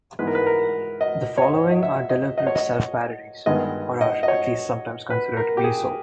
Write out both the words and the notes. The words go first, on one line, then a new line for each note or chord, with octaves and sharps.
The following are deliberate self-parodies or are at least sometimes considered to be so.
G#2 E3 G#3 B3 B4
A#4
B4
A#4
D#5
C#5
D#5
D#5
E5
D#5
D#5
C#5
D#5
G2 D#3 G#3 B3 D#5
D#5
D#5
C#5
B4
A#4
G4
G#4